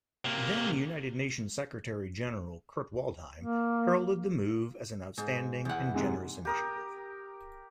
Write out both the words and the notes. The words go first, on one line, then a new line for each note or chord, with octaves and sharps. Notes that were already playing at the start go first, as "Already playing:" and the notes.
Then-United Nations Secretary-General Kurt Waldheim heralded the move as an outstanding and generous initiative.
C3 A#3
A#3
G#2
E2 F#5
G#2 C3 G#3
G4 A#4 D#6